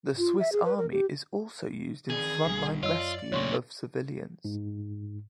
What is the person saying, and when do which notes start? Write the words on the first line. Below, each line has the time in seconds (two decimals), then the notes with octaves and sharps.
The Swiss army is also used in frontline rescue of civilians.
0.18 F4
0.40 E5
0.52 G#4
0.65 B4
0.78 A#4
0.91 G4
2.10 D#3 C4 G#4 D5
2.46 B1 D3 G3
2.83 F#2 F4 C#5 D#5 E6
3.01 D5
3.32 E1 F#2 A#2 C#3 A3 C#5 C6 C#6
4.45 G#2